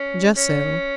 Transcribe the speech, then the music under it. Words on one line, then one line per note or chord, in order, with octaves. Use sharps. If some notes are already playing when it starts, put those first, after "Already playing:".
"Just so."
Already playing: C#4
C#4